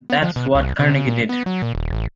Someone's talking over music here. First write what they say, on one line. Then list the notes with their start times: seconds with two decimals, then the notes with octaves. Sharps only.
That's what Carnegie did.
0.10 B3
0.22 F3
0.36 B2
0.55 C2
0.79 C3
0.93 C#3
1.07 A#2
1.29 B3
1.46 F#3
1.62 A#2
1.75 D#1
1.93 A1